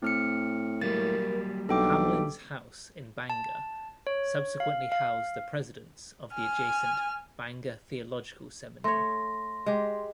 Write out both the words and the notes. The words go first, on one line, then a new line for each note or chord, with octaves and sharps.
Hamlin's house in Bangor subsequently housed the Presidents of the adjacent Bangor Theological Seminary.
A2 C4 F6 C#7
F#3 G3 A#3 A#4 A6
B1 D4 A4 G5 D6
A5
C#5
F5
F5
G#5 F6
A3 C#5 C6 A#6
G#3 G4